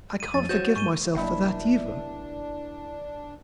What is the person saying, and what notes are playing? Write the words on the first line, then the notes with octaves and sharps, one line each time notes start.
I can't forgive myself for that, either.
D#7
F2 A6
F#4 C5 C#5 G6 A6 E7
G#2 C#6 D#7 G7
F1 F#3 A#3 D4 E4 E5